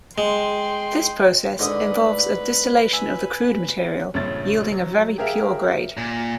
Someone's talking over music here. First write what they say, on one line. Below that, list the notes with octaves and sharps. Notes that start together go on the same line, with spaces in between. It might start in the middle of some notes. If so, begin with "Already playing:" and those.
This process involves a distillation of the crude material yielding a very pure grade.
G#3 G5 C6
G#2 D3 B4 D5 D#6
E5 G#5
A#1 G2 C#3 C#4 A6
F#3
G4 G#4 A#4 E5 F5
A#2